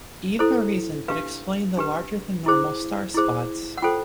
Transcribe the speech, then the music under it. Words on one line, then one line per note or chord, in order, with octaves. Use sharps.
Either reason could explain the larger than normal star spots.
E4 A4 C5
D4 G4 B4 F5
D4 G4 B4
E4 G#4 C5
E4 G#4 C5
F#5
F4 A4 C5 G5